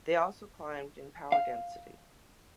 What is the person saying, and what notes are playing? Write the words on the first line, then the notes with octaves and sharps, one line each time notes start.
They also climbed in power density.
F5